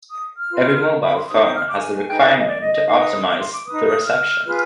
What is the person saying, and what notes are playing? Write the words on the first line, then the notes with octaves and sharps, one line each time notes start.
Every mobile phone has the requirement to optimize the reception.
D#6
F6
F4 B4
B5
C6
D#4 G4 C5 D#6
D#6
F6
D6
G#5
G#5
D#4 G#4 B4 G5
D5
D#5
D5
D#5
D#5
D#4 B4 F5
D#6
D#6
D6
C6
D6
D#4 B4 D#6
D#6
F6
F4 G#4 B4